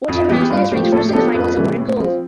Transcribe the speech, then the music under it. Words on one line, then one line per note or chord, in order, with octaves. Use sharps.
Whichever athlete is ranked first in the final is awarded gold.
F2
E3 B3 G4
G2 F4
F3 A3 G4
A2 A4
G4
F3 B3 D4 A4
F2 B4
C3 E3 G3
A2
F3 C4